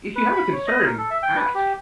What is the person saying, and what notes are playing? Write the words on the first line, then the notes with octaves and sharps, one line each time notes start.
"If you have a concern, ask.
B4
B5
C#5
D#5
A#4
A4
E5
G5
B4
G4